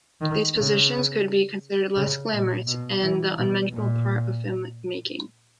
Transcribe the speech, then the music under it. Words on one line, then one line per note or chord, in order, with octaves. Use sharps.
These positions could be considered "less glamorous", and the unmentionable part of filmmaking.
D#3
C#3
C#3
A#2
B2
E3
B2
A#2